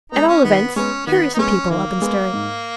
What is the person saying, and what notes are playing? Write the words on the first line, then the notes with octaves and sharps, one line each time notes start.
At all events here are some people up and stirring.
G#3 B3 D#4
C#4
D#3 B3
G#3 B3 C#4
D#3 B3
D#4
G#3 B3 C#4
D#3 A#3
G#3 B3
G#2